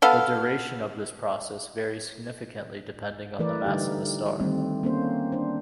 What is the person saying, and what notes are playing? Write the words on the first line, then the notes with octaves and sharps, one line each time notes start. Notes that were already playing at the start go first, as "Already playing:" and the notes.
The duration of this process varies significantly depending on the mass of the star.
B3 A4 F5
E3 A3 A#4 B4 D5
D3 G3 D#4 G4
D#3 G3 A3 C4
A#3 C4 C#4 C5
D4 C5